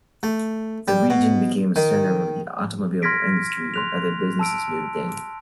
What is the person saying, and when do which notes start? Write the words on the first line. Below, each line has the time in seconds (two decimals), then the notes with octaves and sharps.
The region became a centre of the automobile industry, and other businesses moved in.
0.23 A3
0.88 G3
1.10 B2
1.76 D#3
3.02 C6 F6 G#6 A#6 B6 D7
3.74 C6 F#6 F7
4.39 A5 E6 D7